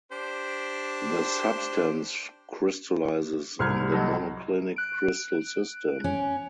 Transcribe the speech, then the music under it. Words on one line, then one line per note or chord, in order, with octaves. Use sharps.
The substance crystallizes in the monoclinic crystal system.
D4 G4 C5
C2 C3 C6 F6 G#6
F#3 A4 D#5
F#6 D7
C#4